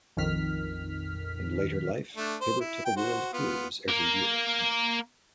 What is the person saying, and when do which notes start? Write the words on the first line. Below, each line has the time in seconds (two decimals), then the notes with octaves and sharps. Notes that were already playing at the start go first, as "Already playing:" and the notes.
In later life, Hibbert took a world cruise every year.
0.17 A#1 F2 D#3 F6 B6
2.16 A3 D4
2.41 C5
2.60 E4
2.85 G5
2.97 F#4 C5
3.33 B3 F4 F5
3.88 A#3 A#4